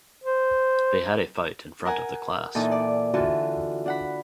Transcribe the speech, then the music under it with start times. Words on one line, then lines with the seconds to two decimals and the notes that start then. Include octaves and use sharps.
They had a fight in front of the class.
0.24 C5
1.85 A#4 F#5 G#5
2.55 A#2 E3 D#4 A4
2.71 D5
3.14 D3 E3 F4 F#4 A4
3.86 D4 F#5 B5